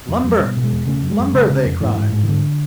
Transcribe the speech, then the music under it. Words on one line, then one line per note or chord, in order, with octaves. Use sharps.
"Lumber! lumber!" they cried.
F2 F3
F2 F#3
B2 G3
B2
G#3
E2
C#3 A3
F#2
G#3
F#2
C#3 G#3
C#3
F2
G#2 E3
G#2
G#2
D#3
G#2 D3